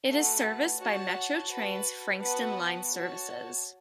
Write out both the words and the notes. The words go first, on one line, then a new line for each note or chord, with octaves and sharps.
It is serviced by Metro Trains' Frankston line services.
A3 F#4 B4 F#5 A5
F#4 C#5 F#5 A5
F#4 B4 A5
B3 F#4 B4 F#5 A5
F#4 C#5 A5